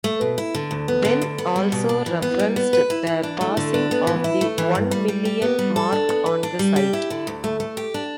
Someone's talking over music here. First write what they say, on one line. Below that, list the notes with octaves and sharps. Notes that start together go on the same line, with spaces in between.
Benn also referenced the passing of the one million mark on the site.
A3
B2
E4
D3
D2
B3
D3
D2
B3
G3
B2
D4
E3
B3
G3
B3
B4
E4
E3
D4
A3
D3
D4
B3
E3
E4
A3
E3
G2
G3
G3
G4
B3
G3
A4
D4
B3
B4
D4
G3
G4
E4
D3
D2
A3
A3
G4
D4